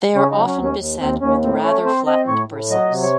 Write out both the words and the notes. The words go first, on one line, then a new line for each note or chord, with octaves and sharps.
They are often beset with rather flattened bristles.
C#3 C#4
D#4
F#3
C#4
D#2
C#4
D#2
D#2 C4
D#2 C#4
A2 C4
A3 C#4
C4 C5
C4 D#5
A2 C#5
A2
F#3 D#5
C3
C#5